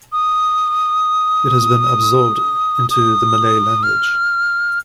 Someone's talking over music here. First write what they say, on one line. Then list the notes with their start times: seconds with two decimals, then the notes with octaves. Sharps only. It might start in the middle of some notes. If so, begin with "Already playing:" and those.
It has been absorbed into the Malay language.
0.12 D#6
2.90 D#6
3.83 F6